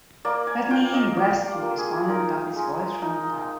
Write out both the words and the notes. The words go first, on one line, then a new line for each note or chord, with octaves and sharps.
'Let me in, blast you!' responded Tuppy's voice from without.
A#3 D5
G#5
F4 G5
D#5
F4 D5
G4
A#3
G#4
D#4 A#4
G#3
D#4